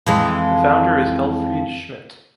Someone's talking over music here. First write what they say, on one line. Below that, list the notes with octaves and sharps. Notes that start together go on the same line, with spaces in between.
The founder is Helfried Schmidt.
F2 E3 G#3